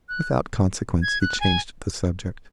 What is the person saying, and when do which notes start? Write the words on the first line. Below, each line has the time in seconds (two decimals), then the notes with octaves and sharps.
Without consequence he changed the subject.
0.09 F#6
1.02 G#6
1.21 F#6
1.40 G#5